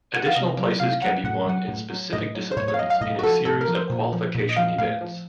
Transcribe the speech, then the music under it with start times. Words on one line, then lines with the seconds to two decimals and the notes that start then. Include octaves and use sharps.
Additional places can be won in specific disciplines in a series of qualification events.
0.16 F#5
0.26 F5
0.36 C3 D#5
0.58 F#3
0.80 C3 F5
1.02 F#3 F#5
1.24 A2 F#5
1.46 F#3 F#5
1.68 A2
1.90 F#3
2.13 A2 D#5
2.35 F#3
2.51 C5
2.57 A2 C#5
2.68 C#5
2.74 F5
2.79 F#3 D#5
2.90 F5
3.01 A2 D#5
3.19 F#4
3.23 F3 A4
3.45 A2 A4
3.61 A#4
3.67 F3
3.75 C5
3.90 A#2
4.12 F3
4.35 A#2
4.49 D#5
4.56 F3 F5
4.78 A2 F5
5.01 F3